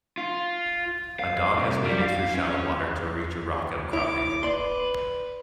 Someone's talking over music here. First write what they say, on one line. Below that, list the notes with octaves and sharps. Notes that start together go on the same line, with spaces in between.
A dog has waded through shallow water to reach a rock outcropping.
F4
F5
C2
G3
F5
C#4
E4 C#5 D6
B4 D5 C6